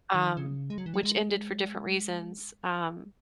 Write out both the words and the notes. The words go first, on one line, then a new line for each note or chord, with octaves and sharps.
um- which ended for different reasons- um
D#3
C#3
G#3
F#3
E3
F#3
G#3